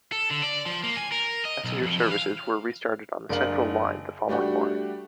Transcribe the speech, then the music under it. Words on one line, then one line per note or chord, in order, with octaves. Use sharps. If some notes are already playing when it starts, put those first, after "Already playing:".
Passenger services were restarted on the Central line the following morning.
A4
D3
D5
F3
A#3
G#5
A#4
D#5
B1
F2
E3
F5
F#1 D4 A#4 F5 F#7
G3 A3 D4 F#4 G4